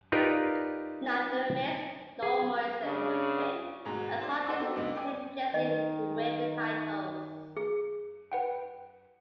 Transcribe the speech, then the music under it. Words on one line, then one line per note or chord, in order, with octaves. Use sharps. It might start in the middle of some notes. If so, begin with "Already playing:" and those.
Neither Miz nor Morrison were pinned, as Hawkins pinned Jesse to win the titles.
D#4 F4 G4 A#4 B4 D5
G#4
C#3 D4
G#1 G#2 B2 G#4 A#5
C4 C5 D5
C5 F#5 C6 D6 E6
B3 C4 D#4 F#4 G4 A4
F#1 C#2 B3 D4 D#5
D5 G5 G#5 D6
D#3 D#5
G#4
B4 F#5 G5